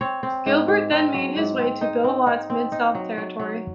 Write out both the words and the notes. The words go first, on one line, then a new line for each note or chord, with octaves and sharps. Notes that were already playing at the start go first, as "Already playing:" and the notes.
Gilbert then made his way to Bill Watts' Mid-South territory.
C4 C#5
C4
G#2
G#2
C4
F#3
G#2
C4
D#4 D#5
C4
D#4
C4
D#4
F#3
F#3
F#3